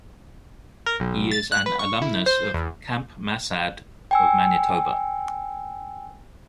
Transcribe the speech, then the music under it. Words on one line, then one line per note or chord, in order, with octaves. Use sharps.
He is an alumnus of Camp Massad of Manitoba.
A#4
B1
A6
F#6
B4
C#6
E4
C5
E2
G5 G#5 E6